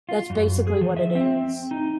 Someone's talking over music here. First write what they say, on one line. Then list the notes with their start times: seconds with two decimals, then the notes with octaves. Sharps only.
That's basically what it is.
0.09 F4
0.30 F#2
0.67 G#4
0.81 F3
0.97 E5
1.15 C4
1.71 D#4